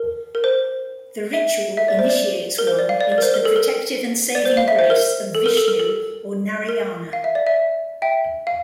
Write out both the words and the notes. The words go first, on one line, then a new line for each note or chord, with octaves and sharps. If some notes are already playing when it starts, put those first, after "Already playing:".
The ritual initiates one into the protective and saving grace of Vishnu or Narayana.
Already playing: A#4
A#4
C5
E5
E5
D5
C5
D5
A#4
C5
D5
F5
D5
D5
A#4
C5
A#4
A4
A#4
D5
C5
F5
E5
C5
A#4
A4
A#4
A4
A#4
A4
A#4
F5
E5
D5
E5
E5 G5
F5